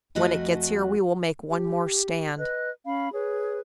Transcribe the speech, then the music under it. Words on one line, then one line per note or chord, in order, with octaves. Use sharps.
When it gets here we will make one more stand.
F2 A3 F#4 D#5 F#5 G#5
G4
B4 D#5 F#6
C#4 F5 B5
G#4 B4 C#5